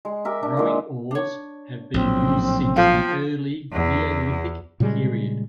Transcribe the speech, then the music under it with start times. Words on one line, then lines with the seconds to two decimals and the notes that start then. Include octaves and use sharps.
Rowing oars have been used since the early Neolithic period.
0.05 G#3
0.25 G4 A#4 E5
0.43 D4
0.57 A#2 G#3
1.11 D4 C#5
1.94 A#1 A2 F#3 C4
2.76 F3 A4 F5 G5
3.73 E2
4.80 A#2 C#3 G3 G#3